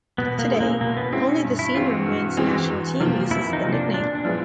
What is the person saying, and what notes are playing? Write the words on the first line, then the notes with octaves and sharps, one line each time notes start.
Today, only the senior men's national team uses the nickname.
B2 B3
A#3
G#3 C#4 E4
A#3
B2 A#3
B3
G#3 C4 C#4 E4
C#4
G2
E4
E3 G#3 C4 F4
F#4
G2
E3 G#3 C4
E2
C3 F3 A#3
E2 E4
D#4
C3 F3 A#3
D4
A#2 D4
D4
F3 G#3 B3 E4